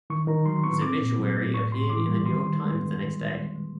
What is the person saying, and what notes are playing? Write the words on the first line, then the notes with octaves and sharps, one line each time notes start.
His obituary appeared in the New York Times the next day.
D#3 C#6
D#3 A#5
F#3 C6
B3 C#6
C4 D6
A#2
F#3
A3
A2 C#6
A2 C6
E3 D6
G3
D#3 C6
D#3
G#3
B3